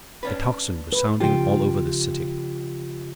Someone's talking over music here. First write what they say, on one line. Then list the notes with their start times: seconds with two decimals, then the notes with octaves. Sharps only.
The tocsin was sounding all over the city.
0.23 C#4 D4 B4
0.93 B4
1.20 C#3 F3 F4 G4 G5